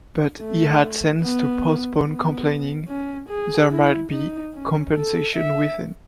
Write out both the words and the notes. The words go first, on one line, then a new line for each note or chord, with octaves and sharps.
But he had sense to postpone complaining: there might be compensation within.
A3
B3
B3
C#4
G#4
E4
D#4
C#4
A4
E5